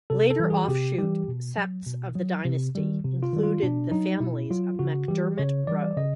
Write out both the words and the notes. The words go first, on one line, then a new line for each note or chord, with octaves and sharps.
Later offshoot septs of the dynasty included the families of MacDermot Roe.
C3 A4
A4
E3 G3
G#4
F#4
C3 G4
E3 G3 G4
B2
F#3
B2
F#3
C3
D#3 G3
C3
F4
D#3 G3
F4
B2 D4
F#3 D#4
B2 E4
F#3 F4
C#3 F#4
E3 G3 G4
C#3 C#5
E3 G3 D5
C#3 D#5